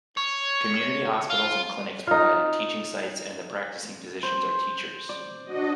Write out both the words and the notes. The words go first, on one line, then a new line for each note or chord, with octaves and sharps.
Community hospitals and clinics provide teaching sites and the practicing physicians are teachers.
C#5
F4
D#4 F4
C5
D5
D4 F#4 D#5